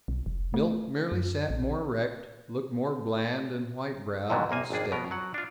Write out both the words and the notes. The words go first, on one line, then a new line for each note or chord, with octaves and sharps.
Milt merely sat more erect, looked more bland and white-browed and steady.
B1
F1
A3
F#2
A#1
F2 G#2 D3 D#3 F#3 A3
C2 F#2 A#3 G#5
G#1 F2 D4 G#4
B2 B3 A#4
F#3 F#4 F#5
D4 F4